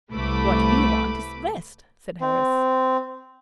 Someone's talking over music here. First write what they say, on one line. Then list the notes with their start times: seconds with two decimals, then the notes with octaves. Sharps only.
"What we want is rest," said Harris.
0.10 C2 A3 B4 B5 D6
2.21 C4